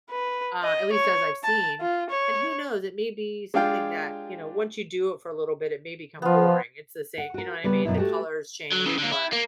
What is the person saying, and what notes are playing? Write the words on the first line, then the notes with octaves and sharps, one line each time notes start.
uh, at least as I've seen, and who knows? It may be something that, you know, once you do it for a little bit, it may become boring, it's the same you know what I mean? The colors change, but
B4
D#5
C#5
A5
F4
C#5
G#3 D4 F4 G4 F5 G5
F3 B3 F4
F#5
F#4 A#4
C#3 G3 B3 G4 B4
F#2 B2 E4
A3 F#4 G4 G5
F#3
C#3 E3
D3 A#3
E4
A#3